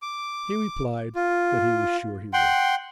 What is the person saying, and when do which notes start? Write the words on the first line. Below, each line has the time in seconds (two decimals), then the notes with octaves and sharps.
He replied that he was sure he would.
0.02 D6
1.15 F4
2.33 F#5 G5 C6